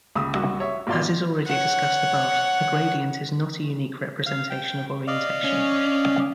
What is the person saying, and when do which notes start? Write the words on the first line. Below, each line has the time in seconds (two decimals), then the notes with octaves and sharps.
As is already discussed above the gradient is not a unique representation of orientation.
0.15 C#2 C#3 D#6 E6
0.34 C2 F#4 E6
0.60 C#5 E5
0.87 G#1 B2 F4 D5 C6
1.46 C#5 F#5
4.26 F5
4.50 G5
5.08 D5 D#5 F5
5.44 C#4